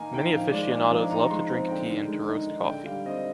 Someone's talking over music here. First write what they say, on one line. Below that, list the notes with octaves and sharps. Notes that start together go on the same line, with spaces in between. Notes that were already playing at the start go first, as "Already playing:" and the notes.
Many aficionados love to drink tea and to roast coffee.
Already playing: D#3 A#3 D#4 G#5 A#5
D#3 G5
F3 F5
G#3 D5
D4 G#5
F3 A#5
D#4 A#5
G#3 C6
C4 A#5
D3 G5
D#3
G#3
D#4
D#3
D3 G5
G3 F5
C4 D#5